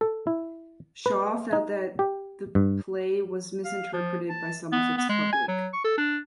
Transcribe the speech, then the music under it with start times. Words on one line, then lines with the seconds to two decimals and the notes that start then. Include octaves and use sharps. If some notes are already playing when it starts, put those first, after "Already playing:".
Shaw felt that the play was misinterpreted by some of its public.
0.01 A4
0.27 E4
1.06 B4
1.53 D#4
1.99 G4
2.55 G2
3.65 F5
3.93 F3
4.29 A5
4.72 B3
4.97 B3
5.09 G#3
5.33 G#5
5.48 F#3
5.73 C#6
5.84 A4
5.98 D4